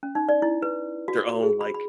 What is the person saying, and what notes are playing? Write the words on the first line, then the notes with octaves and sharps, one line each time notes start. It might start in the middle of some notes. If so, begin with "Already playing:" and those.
their own, like,
C#4
D#4
D5
E4
B4
F#4
G#4
B5
B5